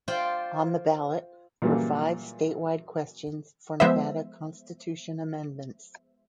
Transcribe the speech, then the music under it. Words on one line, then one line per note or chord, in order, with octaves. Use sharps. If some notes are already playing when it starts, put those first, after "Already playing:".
On the ballot were five statewide questions for Nevada Constitution amendments.
F4 C5 D5 G5
A#2 C#3 E3 F#3 G3 A#3
F3 G#3 B3 C5 E5